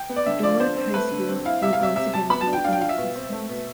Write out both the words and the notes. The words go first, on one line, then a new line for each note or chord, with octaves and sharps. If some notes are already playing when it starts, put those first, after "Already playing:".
Duluth High School would once again be in existence.
Already playing: G5
B3
D5
D3 E5
F3 D5
D3 C5
C4
A3 B4
D3
C4
E4 F5
C3 E5
F5
C3 E5
C3 E5
C3 A5
B3 B5
A5
D4
G5
D4 F5
G5
F4 F5
E5
B2
C4
A3
B2